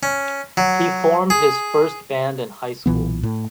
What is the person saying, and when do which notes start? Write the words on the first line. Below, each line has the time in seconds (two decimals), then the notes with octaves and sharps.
He formed his first band in high school.
0.03 C#4
0.57 F#3
1.30 G#4
2.86 B1 A#2 E3 B3
3.23 A2